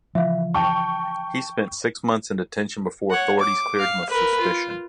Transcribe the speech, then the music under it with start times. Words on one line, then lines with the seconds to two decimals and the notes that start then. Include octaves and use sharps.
He spent six months in detention before authorities cleared him of suspicion.
0.15 C#3 E3 F3 E5 F5
0.54 G5 A5 C#6
3.10 C#5 F#5
3.40 D6
3.79 F5
4.10 A#4 B4
4.40 F4